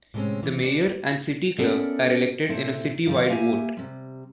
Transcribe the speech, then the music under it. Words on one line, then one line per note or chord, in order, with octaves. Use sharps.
The mayor and city clerk are elected in a citywide vote.
A2 C3 G#3 A3 C4 C#4
E3
D4
B3 C#4 E4 A4 A#4 D5
A#2 C4 E4 A4
D#3 F3 G3 E4 F4
A#3 G4 E5 G#5
C3 G3